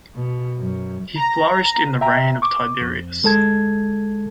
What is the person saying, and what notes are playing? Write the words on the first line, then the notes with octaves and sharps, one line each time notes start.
He flourished in the reign of Tiberius.
B2
F#2
A#5
E5 G5 A#5
C#6 D6
F2
D2 G#3 A4 A5 G#6